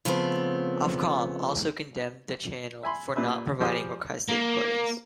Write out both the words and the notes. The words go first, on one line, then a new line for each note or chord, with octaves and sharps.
Ofcom also condemned the channel for not providing requested recordings.
C#3 F3 G3 A3 B3 C4
E5 G#5 B5 C6
A#2 G3 B4 E5 D#6
F3 G3 G4 G#4 C5 D#6
A#3